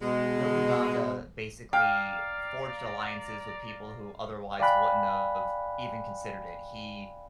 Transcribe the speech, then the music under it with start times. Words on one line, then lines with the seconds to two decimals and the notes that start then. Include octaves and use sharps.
Nobunaga basically forged alliances with people who otherwise wouldn't of even considered it. He,
0.01 B2 G#3
1.73 D5 F5 G5 A#5
4.60 D5 F5 G5 G#5 B5 F#6